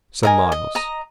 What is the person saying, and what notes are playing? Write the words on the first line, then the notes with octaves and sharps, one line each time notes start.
"Some miles."
A#4 D#5 G#5
D#5
D#5 A#5